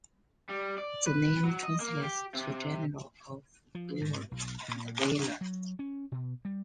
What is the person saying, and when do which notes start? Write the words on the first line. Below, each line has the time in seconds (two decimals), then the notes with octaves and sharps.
The name translates to "General of Bravery and Valor".
0.49 G3
0.78 D5
1.07 B4
1.44 F#3
1.63 D#5
1.80 A#3
2.02 G4
2.35 C3
3.75 F3
4.01 G#2
4.31 B1
4.68 A#2
5.12 D4
5.41 F#3
5.79 C#4
6.12 B2
6.45 G3